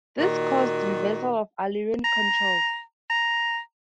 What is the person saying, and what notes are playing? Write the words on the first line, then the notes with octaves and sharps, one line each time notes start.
This caused reversal of aileron controls.
A#2 D#3 F#4
A#5
A#5